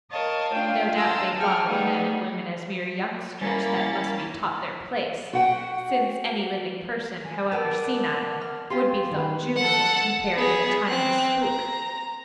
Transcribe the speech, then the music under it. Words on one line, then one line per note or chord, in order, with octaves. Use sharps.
No doubt they thought of men and women as mere youngsters that must be taught their place, since any living person, however senile, would be thought juvenile compared with a timeless spook.
A#4 C#5 D#5 F5 A5
A3 D4 F4 F5 G5
F5 A5 A#5 C6 E6
G#4 A4 F#5 G5 F6
G3 A3 B3 D#4 G#4
G3 A#3 C#4 E4 A6
F#4 F#5 G5
G#5
B3 D4 A#4 B4 E6
F6
C#4 F4 G4 C6
D#3 B4
A4 F#5
B3 G#4
C4 F#6
A#5